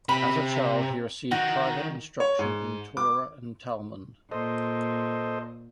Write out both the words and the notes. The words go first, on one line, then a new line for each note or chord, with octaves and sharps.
As a child he received private instruction in Torah and Talmud.
C3 B5
D#3 F#4
C#5
G#2
D6
A#2 A4 C5 D#5